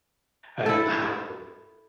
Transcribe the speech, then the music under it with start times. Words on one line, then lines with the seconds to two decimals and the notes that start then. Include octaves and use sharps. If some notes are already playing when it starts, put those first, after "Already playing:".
uh, in the house
0.66 E4 A4